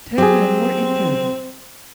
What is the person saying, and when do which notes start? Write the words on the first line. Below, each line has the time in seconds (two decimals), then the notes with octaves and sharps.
Ten men were injured.
0.18 F#3 C4 G4 G#4